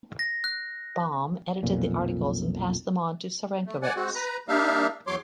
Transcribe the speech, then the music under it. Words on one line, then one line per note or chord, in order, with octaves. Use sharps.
Baum edited the articles and passed them onto Cyrankiewicz.
A#6
F#6
B1 F2 A#2
A3
D5 F#5 G#5
G#3 C4 F#4
B4 A#5
G3 A#3 D4 D#4 E5 F5
E2 F#3 C#5 C6 D6